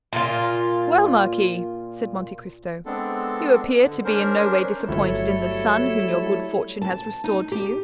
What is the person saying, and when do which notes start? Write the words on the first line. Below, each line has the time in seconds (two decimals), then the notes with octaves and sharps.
"Well, marquis," said Monte Cristo, "you appear to be in no way disappointed in the son whom your good fortune has restored to you."
0.13 A#2 F4
2.86 G#3 B3 C4 D4 A4
3.83 D3
4.05 C#4 D4 A#4 C5
4.89 G1 F#3 G3 A3 E4 A4 C#5
6.82 A5
7.24 D#4
7.52 G4